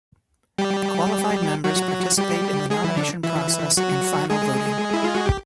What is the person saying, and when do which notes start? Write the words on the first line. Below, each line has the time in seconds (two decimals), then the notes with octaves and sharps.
Qualified members participate in the nomination process and final voting.
0.58 G3 G4
1.64 F#3 F#4
2.17 G3 G4
2.70 G#3 G#4
2.84 E3 E4
2.97 D3 D4
3.23 E3 E4
3.77 F#3 F#4
4.30 G#3 G#4
4.94 E4
5.04 F4
5.15 F#4
5.26 G4